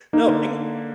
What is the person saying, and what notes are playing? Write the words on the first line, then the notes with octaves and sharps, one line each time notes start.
No, ping
A#3 D#4
D3